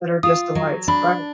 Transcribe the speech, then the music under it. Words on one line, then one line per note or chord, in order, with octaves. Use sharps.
That are just the whites. Right.
F4 D#6
F#3
D4 B5